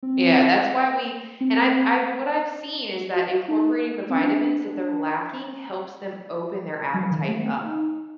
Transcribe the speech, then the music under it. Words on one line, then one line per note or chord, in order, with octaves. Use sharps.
yeah, that's why we and I've I've what I've seen is that incorporating the vitamins that they're lacking helps them open their appetite up.
C4
C4
F#4
F#4
F#4
D#4
C4
D4
F#3
D#3
A3
A#3
C4
D#4